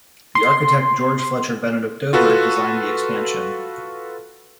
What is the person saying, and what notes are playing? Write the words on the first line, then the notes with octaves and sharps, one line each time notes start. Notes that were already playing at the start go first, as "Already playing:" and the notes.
The architect George Fletcher Bennet of Dover designed the expansion.
C6
F4 F#4 A4 B4